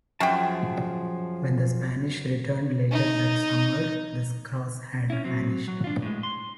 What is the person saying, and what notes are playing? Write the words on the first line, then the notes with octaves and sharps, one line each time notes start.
When the Spanish returned later that summer the cross had vanished.
F#2 F3 G#4 G5 A5
D#4
C#4 E4
F#3 C4
F#3
D4 F4
A2 G#3
C6